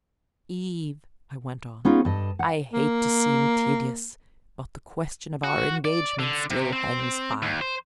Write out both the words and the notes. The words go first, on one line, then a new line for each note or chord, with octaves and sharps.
"Eve," I went on, "I hate to seem tedious--but the question of our engagement still hangs fire."
B3 C#4 D#4 F4 G#4
G2 A4 D#5
F#5
A#3
F#4
D5
D3
C3
C4
D#2
C5